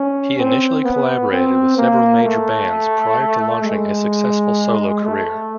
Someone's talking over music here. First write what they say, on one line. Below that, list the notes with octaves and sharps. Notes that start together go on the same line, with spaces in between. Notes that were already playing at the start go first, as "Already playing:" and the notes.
He initially collaborated with several major bands, prior to launching a successful solo career.
Already playing: C#4
C4
B3
C4
A#3
A3
G#3
A3